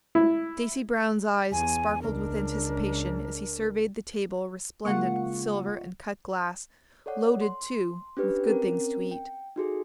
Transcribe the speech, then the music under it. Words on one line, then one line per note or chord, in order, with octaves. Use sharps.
Stacy Brown's eyes sparkled with anticipation as he surveyed the table resplendent with silver and cut glass--loaded, too, with good things to eat.
E4
E2 G#5
C#2 D4 A#4
C#3 G#3 A#3 F4 F#5 C#6
A4 C#5 D5 F#5
C6
C#4 D4 G4 B4 F6
C4 C#4 A#4
G5
D#4 F#4 G#4 A4